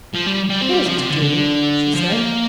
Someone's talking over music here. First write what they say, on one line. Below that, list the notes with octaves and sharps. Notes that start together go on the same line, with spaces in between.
"Here's a to-do," she said.
F3
G3
G3
C4
G3
F3
C3
D3
D3
F3
A#3